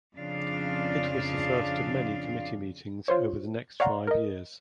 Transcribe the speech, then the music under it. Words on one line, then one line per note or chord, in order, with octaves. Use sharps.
It was the first of many committee meetings over the next five years.
F2 C#3 D4 F4 D5 F5
F4 C5 C#5
C#5 D5 F5 F#5 A#5 C6
A#4 D#5